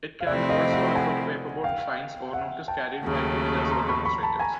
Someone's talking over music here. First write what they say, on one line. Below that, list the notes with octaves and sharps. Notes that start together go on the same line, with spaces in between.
It can also refer to paperboard signs or notice carried by picketers or demonstrators.
F5
C3 F3 A3 C4 E4 D5 E5
D#5 F5
E5 F#5
F#5 G#5
F5 G5
E5 F#5
G5 A5
D#2 C#3 F#3 A3
A#5 C6
B5 C#6
B5 C#6
A5 B5
G#5 A#5